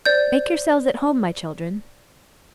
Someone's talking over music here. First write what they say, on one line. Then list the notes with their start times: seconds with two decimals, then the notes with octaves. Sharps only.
Make yourselves at home, my children.'
0.06 C5 D5 G6